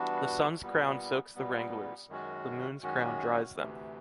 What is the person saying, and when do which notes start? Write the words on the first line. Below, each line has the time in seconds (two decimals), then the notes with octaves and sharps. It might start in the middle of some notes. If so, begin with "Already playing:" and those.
The sun’s crown soaks the wranglers, the moon’s crown dries them.
Already playing: E3 G3 B3 D4 F#4
0.61 A#2 G3 B3
1.36 A#2 G3 B3
2.09 F#2 D#3 G#3 C#4 F#4
2.82 F#2 D#3 G#3 C#4 F#4
3.55 D2 C3 E3